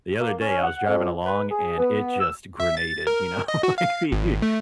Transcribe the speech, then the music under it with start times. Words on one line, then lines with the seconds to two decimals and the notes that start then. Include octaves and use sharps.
The other day I was driving along, and it just grenaded, you know, like the the
0.21 A#3
0.41 C#4
0.63 F#5
0.88 F2
1.25 B4
1.51 G#4
1.78 B3
2.20 E6
2.60 E5
2.77 A6
3.07 A#4
3.48 D#5
3.63 F#4
3.78 F5
4.12 G#1
4.42 A3